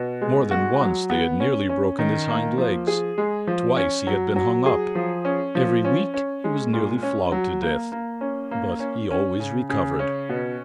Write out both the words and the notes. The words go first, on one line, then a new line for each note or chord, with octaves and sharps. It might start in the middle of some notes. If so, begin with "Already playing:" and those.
More than once they had nearly broken his hind-legs, twice he had been hung up, every week he was nearly flogged to death, but he always recovered.
Already playing: B2
G#3
F#4
F#3
B3
C#4
C#4
D#3
A#3
F3
G#4
G#3
F3
C#4
F#3
F#3
G#4
F3
C#4
F3
C#4
C#4
G#3
A#2
C#4
F#3
A#3
A#3
C#4
A#3
C#4
C#4
C#3
C#3
C#4
B2